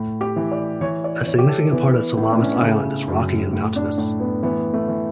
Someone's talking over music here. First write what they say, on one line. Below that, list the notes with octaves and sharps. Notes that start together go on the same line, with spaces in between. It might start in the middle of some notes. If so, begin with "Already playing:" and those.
A significant part of Salamis Island is rocky and mountainous.
Already playing: A2
G4
E3
D5
E3 C#5
D5
E3 C#5
G4
A4
E3 B3
A2 E4
D4
C#4
B3
C#3 A3
F#2
A2
D4
A2 D4
B3
E3 B3
A3
E3